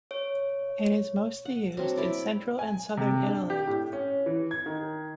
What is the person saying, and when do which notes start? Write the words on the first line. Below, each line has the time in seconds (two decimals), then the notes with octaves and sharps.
It is mostly used in Central and Southern Italy.
0.11 C#5
1.45 F#5
1.77 F#3 C4 D4
1.97 E4 D5
2.59 G#5
2.97 C3
3.23 D4
3.50 G4
3.67 A2
3.93 C#4
4.26 E3
4.51 G#6
4.66 D#3